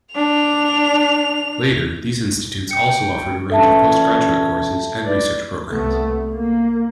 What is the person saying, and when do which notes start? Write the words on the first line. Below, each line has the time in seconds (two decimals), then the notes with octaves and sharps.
Later, these institutes also offered a range of postgraduate courses and research programs.
0.15 D4 F7
2.71 G5 C#7
3.50 A#2 E3 C#4 A4 E5 A5
5.04 B4 D5
5.68 C2 A3 B3
6.33 A#3